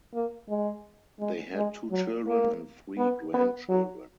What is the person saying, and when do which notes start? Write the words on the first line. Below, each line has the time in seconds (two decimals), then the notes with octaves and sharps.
They had two children and three grand children.
0.13 A#3
0.49 G#3
1.20 G#3
1.55 G#3
1.91 F#3
2.27 A#3
2.98 B3
3.34 B3
3.69 F#3